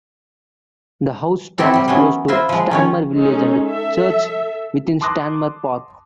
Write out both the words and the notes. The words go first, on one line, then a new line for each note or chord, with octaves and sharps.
The house stands close to Stanmer village and Church, within Stanmer Park.
F#3 C4 E4 G4 A4
G3 G4
E3 F#3 B3 C#4
E4 F4 C5 E5
F3 G#3
D#3 C#4 C#5
G#3 C#4 D#4 A4
A4 E5
A5 C6 D6 D#6 F#6 A#6